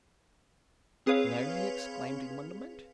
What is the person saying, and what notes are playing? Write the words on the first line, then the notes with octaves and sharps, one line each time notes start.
"No?" he exclaimed, in wonderment.
C4 G#4 B4 C#5 F5